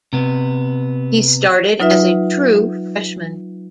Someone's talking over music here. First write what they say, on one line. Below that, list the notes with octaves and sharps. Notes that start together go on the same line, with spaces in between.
He started as a true freshman.
C3 B3
F#3 D#4 F4 B4 E5